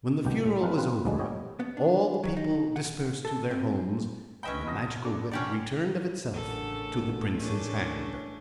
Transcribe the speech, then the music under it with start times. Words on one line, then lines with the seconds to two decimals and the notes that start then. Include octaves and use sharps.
When the funeral was over all the people dispersed to their homes, and the Magical Whip returned of itself to the prince's hand.
0.25 C2 B2 G4 G5
0.45 A2
0.60 F3 G#3 C4 A#4 B4
0.78 C4 F4 B4
1.05 D2 F3 G3 G#3
1.19 B3 G4 C#5 D#5
1.60 B3
1.77 D4
2.24 F#3
2.37 D#4
2.76 F#5
3.25 A4
3.51 C4
4.43 C#4 B4 D#5 E5 G5 B5
4.66 C2 D#6 A#6
5.05 D4 A4 D6
5.31 C2 C#4 D4 G4 D5
6.32 A1 C#3 D4 A4 A#4 F#5
7.36 A3 C#4 D4 G#4 A#4 C#5